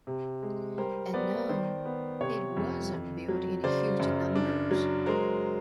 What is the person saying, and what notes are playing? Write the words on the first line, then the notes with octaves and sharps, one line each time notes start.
And, no, it wasn't built in huge numbers.
C3
G#3
G3 A#4 C5
B3 C5 D5
D#3 C5 D5
B3
C3 B4 C#5
F2
F2
F#3
C#3 C5 D5
F#2
D4
F#3
G#3 A#4 C5